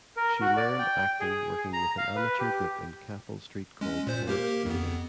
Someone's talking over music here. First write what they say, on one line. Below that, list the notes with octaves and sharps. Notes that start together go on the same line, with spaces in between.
She learned acting working with an amateur group in Capel Street called Torch Theatre.
A#4
F#4
D5
G5
G#4
A#5
F5
B4
G4
G#3 C#4
A#2 C5 G6
A#3 G4 A#4
F2 B3